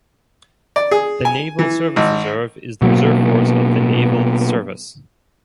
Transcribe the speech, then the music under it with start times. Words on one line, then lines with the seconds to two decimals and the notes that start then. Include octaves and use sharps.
The Naval Service Reserve is the reserve force of the Naval Service.
0.76 D5
0.91 G#4
1.25 G#5
1.59 E3
1.96 G#1
2.82 B2 F#3 A#3